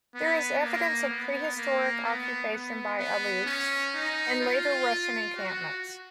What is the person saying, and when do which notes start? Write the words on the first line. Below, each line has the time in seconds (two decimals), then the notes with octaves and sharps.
There is evidence of prehistoric occupation by Aleuts and later Russian encampments.
0.15 B3
0.63 A#3
1.10 B3
1.57 A#3
2.04 B3
2.52 B3
2.99 B3
3.46 C#4
3.94 D#4
4.41 F4
5.37 F#4